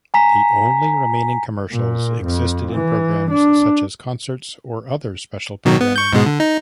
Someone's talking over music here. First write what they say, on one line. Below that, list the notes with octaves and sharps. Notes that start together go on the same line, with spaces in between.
The only remaining commercials existed in programs such as concerts or other special programming.
G#5 A#5 B6
A#2
F2
E3
D4
B2 D#3 F#3
B3
C#6 G6
G#2 B2 G#3
D3
D#4